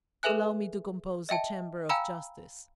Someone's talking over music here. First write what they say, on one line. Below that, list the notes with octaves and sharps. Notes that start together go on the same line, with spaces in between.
"Allow me to compose a chamber of justice."
G#4 A4 B4 E5 G#5 F#6
D#5 E5 G5 A5
F5 G5 G#5 A#5 B5 E6